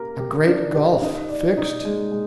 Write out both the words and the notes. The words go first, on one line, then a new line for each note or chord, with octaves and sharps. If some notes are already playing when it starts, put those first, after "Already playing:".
A great gulf fixed?
Already playing: A#3 G4 A#4
G4
D4
G4
D#4
D5
D#4
G#3
G#3